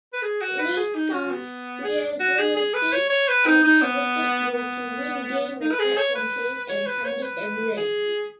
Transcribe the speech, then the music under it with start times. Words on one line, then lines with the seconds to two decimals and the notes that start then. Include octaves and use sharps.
Leighton's reliability and terrific will to win gained respect from players and pundits everywhere.
0.13 B4
0.23 G#4
0.41 F#4
0.59 B4
0.77 G#4
0.95 D#4
1.12 C#4
1.31 B3
1.84 G#4
2.20 F#4
2.39 G#4
2.57 G#4
2.74 B4
2.93 C#5
3.10 C#5
3.28 B4
3.46 D#4
3.64 D#4
3.82 B3
4.54 B3
5.61 D#4
5.72 B4
5.80 G#4
5.97 C#5
6.15 B4
6.69 C#5
6.87 B4
7.05 C#5
7.23 B4
7.77 G#4